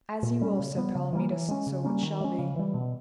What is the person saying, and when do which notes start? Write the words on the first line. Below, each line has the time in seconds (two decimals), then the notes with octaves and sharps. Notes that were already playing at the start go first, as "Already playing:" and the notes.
As ye will, said Palomides, so it shall be.
0.23 A#2
0.41 G3 C#4
0.59 C#3
0.77 G3 B3
0.95 C#3
1.13 E3 G3 A#3
1.31 E3
1.48 G#3 C#4
1.67 C#3
1.84 G3 A#3 C#4
2.03 D#3
2.21 G#3 C#4
2.39 C#3
2.56 E3 G3
2.74 B2